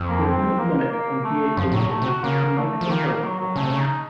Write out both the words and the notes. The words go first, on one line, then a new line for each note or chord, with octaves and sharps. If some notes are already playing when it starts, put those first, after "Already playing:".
There is no limit on vehicle usage, unlike the power staffs.
Already playing: F2
A#3
C4
A#3
A#3
A3
F#2 F3
A2 F#3
A#2
A3
C3
F#4
C#3 A#3
A3
F3
D#3 A#3
A#3
F#3
F#3
C#3 A3
C3
C#3
D#4